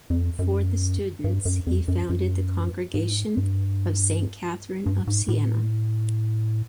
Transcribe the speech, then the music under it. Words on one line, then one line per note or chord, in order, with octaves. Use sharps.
For the students he founded the Congregation of Saint Catherine of Siena.
F2
F#2
G2
F#2
F2
F#2
F#2
G#2
G2
G2
G#2
A2